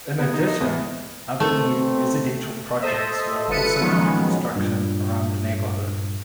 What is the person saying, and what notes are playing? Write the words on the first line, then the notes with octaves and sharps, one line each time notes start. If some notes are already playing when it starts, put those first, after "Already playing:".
In addition, other new residential projects were also under construction around the neighborhood.
B3
D#4
D#5
E2
B2 A3 C4
A4 C5 D#5 E5
G1 F4 A4 B4 C#7 D#7
D#3 F3 F#3 G#3 B3 C#4
G2 A#2